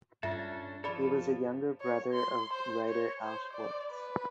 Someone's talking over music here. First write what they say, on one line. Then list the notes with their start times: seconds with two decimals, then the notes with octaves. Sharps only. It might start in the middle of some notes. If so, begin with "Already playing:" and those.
He was a younger brother of writer Al Schwartz.
0.23 G2 C#4 D4 F4 A4 E5
0.84 F3 G#4 A4 D5 B5
1.81 C#5
2.13 C6
2.54 C5
2.88 C#5
3.24 C5
3.54 D5
3.92 B4